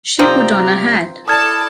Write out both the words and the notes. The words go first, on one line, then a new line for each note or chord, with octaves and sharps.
She put on a hat.
C3 D#3 F3 C4 D5 A#5
E4 A4 D5 A5 D#6 F6 G#6